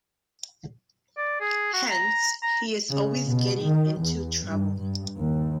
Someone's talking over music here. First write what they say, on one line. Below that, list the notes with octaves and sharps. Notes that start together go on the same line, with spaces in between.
Hence, he is always getting into trouble.
D5
G#4
F#4
A#5
A#5
C#3
B2
D#3
E2
G2
G2
D#2